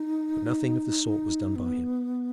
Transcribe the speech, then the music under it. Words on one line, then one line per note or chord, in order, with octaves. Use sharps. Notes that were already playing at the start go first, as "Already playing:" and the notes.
But nothing of the sort was done by him.
Already playing: D#4
B3